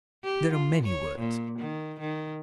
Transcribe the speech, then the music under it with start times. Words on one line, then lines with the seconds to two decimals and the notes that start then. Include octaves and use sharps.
There are many words.
0.24 G4
0.53 F4
0.83 C#5
1.18 A#2
1.59 D#3
2.00 D#3